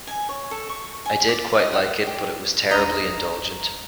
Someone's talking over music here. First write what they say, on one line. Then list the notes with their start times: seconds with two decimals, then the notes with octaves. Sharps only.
I did quite like it but it was terribly indulgent.
0.07 G#5
0.29 C#5
0.51 A4
0.69 C#6
1.06 G#5
1.29 D5
1.59 D#5
1.73 F#5
2.07 G4
2.71 G1 E2 G2 D#5 A#5 B5